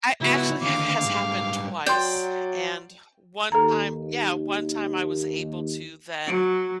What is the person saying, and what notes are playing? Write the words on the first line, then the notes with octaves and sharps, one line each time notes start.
I, actually, that has happened twice, and one time yeah, one time I was able to then,
C#2 B3 E4 F#4
D#2 D3 F5 D6
G#2 G3
F#3 D5 G5 C6
D#2 A4 A#5
F#3